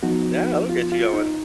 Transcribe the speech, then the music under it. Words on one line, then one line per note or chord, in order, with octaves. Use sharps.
Yeah, it'll get you going.
F3 B3 D#4 F#4
F4
F4
D#4